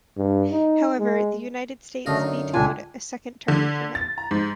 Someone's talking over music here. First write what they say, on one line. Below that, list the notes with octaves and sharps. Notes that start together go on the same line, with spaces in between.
However, the United States vetoed a second term for him.
G2
D#4
G#3
F#2 D3 A3 D#5 F5
D#4
C#2 D4 F4 G#5
D3
A6
A#5
G#2